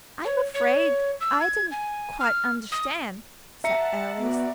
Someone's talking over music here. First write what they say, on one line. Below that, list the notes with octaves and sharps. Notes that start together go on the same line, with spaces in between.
'I'm afraid I don't quite understand,' said Alice.
C#5
C#5
E6
G#6
G#5
F6
D#6
E5 F#5 A5 A#5 C#7
B3 F#4 D5